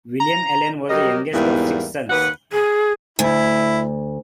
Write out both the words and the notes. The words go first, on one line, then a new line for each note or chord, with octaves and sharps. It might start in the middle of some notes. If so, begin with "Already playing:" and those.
William Allen was the youngest of six sons.
A#5
F#3 G3 G4 A#4 D#5
E2 G#2 G3 A#3 B3 E4
D#2 B4 F#5
G#4
D2 E4